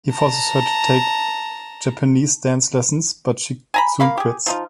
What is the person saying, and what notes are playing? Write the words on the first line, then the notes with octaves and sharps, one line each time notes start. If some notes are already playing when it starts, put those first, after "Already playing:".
He forces her to take Japanese dance lessons, but she soon quits.
A5 A#5
G#5 A#5 B5
A#3 F5 B5
G4 G#4
F3 D#4 F4